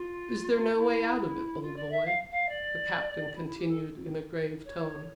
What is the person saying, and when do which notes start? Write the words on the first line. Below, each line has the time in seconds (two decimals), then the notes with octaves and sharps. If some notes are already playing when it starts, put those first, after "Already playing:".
"Is there no way out of it, old boy?" the Captain continued in a grave tone.
Already playing: F4
0.76 E4
1.62 F4
1.76 D5
1.91 E5
2.05 F5
2.30 F5
2.48 D5
3.35 E4
3.45 E4
3.57 G4
3.68 A4
4.65 C#5